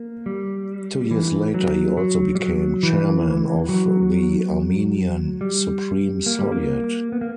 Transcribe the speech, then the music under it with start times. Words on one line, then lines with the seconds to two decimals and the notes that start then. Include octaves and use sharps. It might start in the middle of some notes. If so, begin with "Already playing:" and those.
Two years later he also became chairman of the Armenian Supreme Soviet.
Already playing: A#3
0.26 G3
1.11 E3
1.54 F#3
1.97 F#3
2.35 G3
2.40 F#3
2.83 E3
3.69 F#3
5.41 G3
6.26 A#3
6.39 G3
6.52 A#3
7.12 B3
7.21 A#3